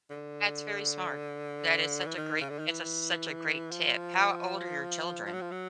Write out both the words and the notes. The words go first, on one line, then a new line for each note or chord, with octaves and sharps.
That's very smart, that is such a great it's a such a great tip, how old are your children?
D3
E3
D#3
C#3
D3
D#3
E3
F3
F3
F#3
F3
F#3